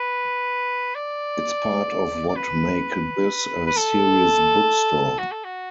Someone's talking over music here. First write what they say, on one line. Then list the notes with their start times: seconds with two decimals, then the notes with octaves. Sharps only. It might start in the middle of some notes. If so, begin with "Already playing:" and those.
It's part of what make this a serious bookstore.
Already playing: B4
0.95 D5
2.29 D5
2.36 B4
3.66 B4
3.77 A4
5.18 F#4
5.31 A4
5.44 F#4